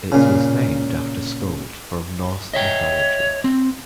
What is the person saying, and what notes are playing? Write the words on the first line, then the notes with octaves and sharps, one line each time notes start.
It was named after Skuld from Norse mythology.
A#2 C#3
C#5 D#5 E5 G5
C4